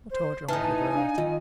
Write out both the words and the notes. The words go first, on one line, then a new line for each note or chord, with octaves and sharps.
What order and what liberality!
C5
A2 E3 D#4 G#5 A5 F6
A5
D4 F5
F2 D#3 F4 D#5